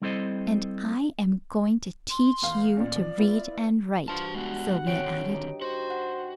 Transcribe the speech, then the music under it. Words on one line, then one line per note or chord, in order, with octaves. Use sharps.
"And I am going to teach you to read and write," Sylvia added.
G3 C4 E4 A4 C5 D#5
C6
E2 F5
A#2 C#4 D5
F3
B3 E4 F4
G2 F4 F#4 C5 A5
G#3 B3 D4 F#5
D3 D#3 C4 C#5 G5 D7
D#4 G4 D#5
F#4 C5 G5
F#5